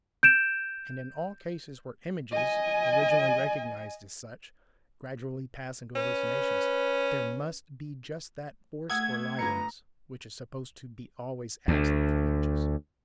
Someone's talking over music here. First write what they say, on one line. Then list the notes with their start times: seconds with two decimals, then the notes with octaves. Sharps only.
And in all cases where images, originally recognized as such, gradually pass into hallucinations, there must be just that "force or liveliness" which is supposed to be always absent from images.
0.23 G6 D7 E7
2.31 D#5 G#5
5.96 C#4 B4
8.90 A3 F#5 D#6 E6 G#6
9.39 G1 B4 A#5 C#7
11.68 D2